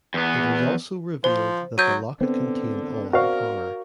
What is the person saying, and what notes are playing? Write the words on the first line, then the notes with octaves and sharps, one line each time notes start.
It was also revealed that the locket contained all her power.
E2 B3
F3 C5
F#3 G6 D#7
D3 B3 C4
F#4 A#4 C5 D5 F5 C#6